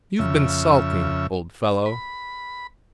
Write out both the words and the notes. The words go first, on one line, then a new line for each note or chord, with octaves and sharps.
You've been sulking, old fellow.
F2 C#3 E5
B5